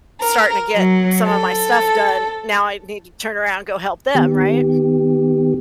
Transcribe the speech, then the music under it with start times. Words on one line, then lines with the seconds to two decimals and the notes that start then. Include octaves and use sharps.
starting to get some of my stuff done, now I need to turn around go help them, right?
0.21 A#4
0.75 F#3
1.27 A4
4.15 D#3 B3 G4